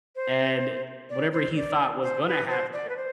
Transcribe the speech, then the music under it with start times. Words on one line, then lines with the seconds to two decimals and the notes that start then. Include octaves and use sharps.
and eh whatever he thought was gonna happen
0.16 C5
1.10 D5
1.33 C5
1.56 D5
2.03 C5
2.27 B4
2.50 C5
2.73 D5
2.89 B4
2.97 C5